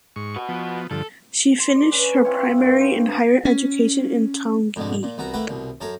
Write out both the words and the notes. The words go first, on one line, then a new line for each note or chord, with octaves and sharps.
She finished her primary and higher education in Taunggyi.
G#2 C#6
F#4 B4
F3 B3
G2 D3 F3 A4
C6
D5
C#4 B4
C4 E4 F4 C#5
G2 D3
C5
C#4
F2 G#2 B2 D3 G#3
A#2
C2 B3 F#4 A#5
A3 A#3 B4 E5 F#5 G5
C2 B2
F#2 A4 A#4 C#5